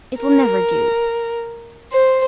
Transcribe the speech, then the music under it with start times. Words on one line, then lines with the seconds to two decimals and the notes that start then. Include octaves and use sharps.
It will never do.
0.20 A#4
1.93 C5